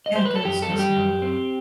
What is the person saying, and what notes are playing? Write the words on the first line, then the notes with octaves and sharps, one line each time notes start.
Yeah, it does, doesn't it?
D#5
C5
B4
A4
F#2 G4
A4
G3
G4
F#2
C4